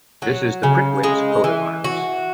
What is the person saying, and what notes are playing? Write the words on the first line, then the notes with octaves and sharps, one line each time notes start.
This is the Prittwitz coat of arms.
F#3
C#3
G#3
E3
F#4